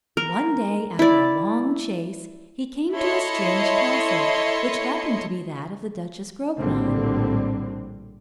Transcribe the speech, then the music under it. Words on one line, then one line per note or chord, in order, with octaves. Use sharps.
One day, after a long chase, he came to a strange castle, which happened to be that of the Duchess Grognon.
A#4
E4 D5
E4 A4 C#5 D#5 C6 C#7
A#1 A2 D3 G3 C4